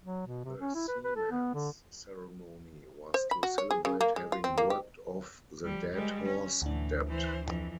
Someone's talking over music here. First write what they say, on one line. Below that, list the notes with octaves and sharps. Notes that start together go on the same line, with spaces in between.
The seaman's ceremony was to celebrate having worked off the "dead horse" debt.
F#3
B2
C3
C#4
E4
B4
B4
A4
B3
D3
C5
B5
F#4
C#5
G#4
C#3
A#3
G#3
F4
C4
A#3
G4
F3 G3
G3 G#3
C#4
D2 A2 E3 D4
E3 C5
F2 E3